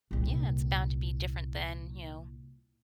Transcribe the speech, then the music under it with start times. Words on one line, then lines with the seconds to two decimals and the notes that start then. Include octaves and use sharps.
Yeah, it's bound to be different than, you know,
0.11 C2 A#2